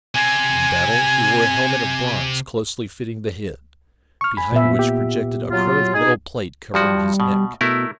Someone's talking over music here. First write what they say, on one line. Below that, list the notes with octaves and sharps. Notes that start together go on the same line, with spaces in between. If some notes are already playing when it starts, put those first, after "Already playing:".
In battle he wore a helmet of bronze closely fitting the head, behind which projected a curved metal plate covering his neck.
C3 C4 G#5
C#6 F6
G#5 B5
A#2 B3 E5
G4
F#3 F4
D#4 G#4
G2 F3 G3 F#4
B2
B2 A3 E4 A#4